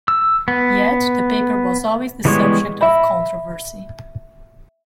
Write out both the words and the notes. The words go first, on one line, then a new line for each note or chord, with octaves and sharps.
Yet, the paper was always the subject of controversy.
E6
B3
E3 G3 G#3 B3 C#5
E5 B5 A#6